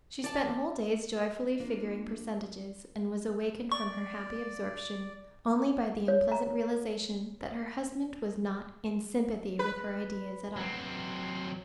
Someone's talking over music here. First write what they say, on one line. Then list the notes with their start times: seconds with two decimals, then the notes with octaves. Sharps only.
She spent whole days joyfully figuring percentages, and was awakened from her happy absorption only by the unpleasant realization that her husband was not in sympathy with her ideas at all.
0.24 D5 A5
1.60 A#3 D4 F4
3.72 D5 C#6
6.08 C#5
6.32 A#5
9.59 B4
10.57 F#3 C4